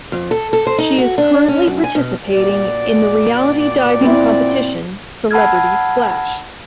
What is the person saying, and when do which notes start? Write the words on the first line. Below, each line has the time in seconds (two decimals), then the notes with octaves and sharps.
She is currently participating in the reality diving competition Celebrity Splash!
0.12 F2
0.31 A4
0.53 A4
0.67 C5
0.78 D#4
0.98 F#4
1.18 D4
1.48 C#4
1.68 F#2
1.84 G#5
1.95 B2
2.32 A#2 F#4 D5
4.01 C4 E4
5.31 F#5 A5 B5 E6 F6 G#6